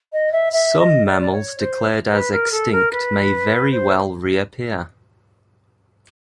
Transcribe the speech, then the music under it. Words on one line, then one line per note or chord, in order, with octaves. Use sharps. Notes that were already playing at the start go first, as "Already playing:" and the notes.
Some mammals declared as extinct may very well reappear.
D#5
E5
E5
D#5
D5
D5
C#5
C5
B4
A#4
A4
A#4
B4
C5